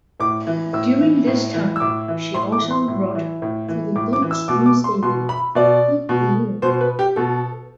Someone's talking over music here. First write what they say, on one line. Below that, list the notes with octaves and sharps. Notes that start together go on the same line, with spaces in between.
During this time she also wrote for the Dutch newspaper "Het Parool".
A2 D6
E3
A2 E6
E3
A2
E3
E6
A2 D6
E3
A2 C6
D6
E3
C6
A2
E3
A2
E3
A2 D6
D6
E3
E6
B2 D6
D6
C6
B2 C6
B5
B2 D5
B2
B2 C5
B4
G4
B2 A4